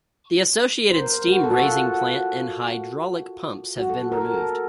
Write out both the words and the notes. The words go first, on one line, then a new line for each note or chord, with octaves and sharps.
The associated steam raising plant and hydraulic pumps have been removed.
C5
A#4
F#4
A4
F#4
F4
F#4
A4
A#4
A4